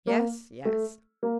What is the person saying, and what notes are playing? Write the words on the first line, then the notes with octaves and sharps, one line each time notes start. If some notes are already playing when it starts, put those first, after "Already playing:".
"Yes, yes."
A#3
A3
A#3